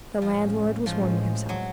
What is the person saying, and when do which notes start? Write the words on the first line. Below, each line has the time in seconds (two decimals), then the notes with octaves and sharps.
The landlord was warming himself.
0.22 A2 F3 G#3 C#4
0.86 A2 F3 G#3 C#4
1.49 F#3